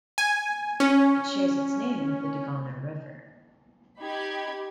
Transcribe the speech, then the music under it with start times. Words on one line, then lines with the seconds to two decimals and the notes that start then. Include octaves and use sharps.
It shares its name with the Dagana River.
0.18 G#5
0.80 C#4
4.00 D#4 G4 B5 G#6